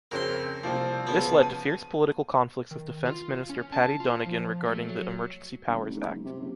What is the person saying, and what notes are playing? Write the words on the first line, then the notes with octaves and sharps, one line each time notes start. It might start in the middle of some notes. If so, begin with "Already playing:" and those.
This led to fierce political conflicts with defense minister Paddy Donegan regarding the Emergency Powers Act.
F2 C#3 C4 A#4 C6
C2 F3 A#3 C4
C#3 F3 B3
A5 D#7
D#3
F4
C#4
A5
F4
F3
A3
F#3
G1
A1
G#2
F#1
C3
F#1